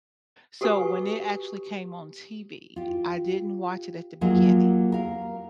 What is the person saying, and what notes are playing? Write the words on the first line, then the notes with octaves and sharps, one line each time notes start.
So, when it actually came on TV, I didn't watch it at the beginning,
F#4 G4 A4 B4 G#5 C#6
F4 G4
F#3 A#3 F4 G4 G#4
A#4 F5